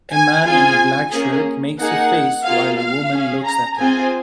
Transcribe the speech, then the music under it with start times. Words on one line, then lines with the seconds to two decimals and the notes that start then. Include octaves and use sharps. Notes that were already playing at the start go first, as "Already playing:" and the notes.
A man in a black shirt makes a face while a woman looks at him.
0.13 G#5
0.45 C4 F4 G#4 G#5
1.12 A#3 C#4 G#4
1.79 A#3 D#4 G#4 F#5
2.45 A#3 F4 G#4 F5
2.78 F5
3.12 C#4 G#4
3.45 A#5
3.78 C4 F4 G#4 G#5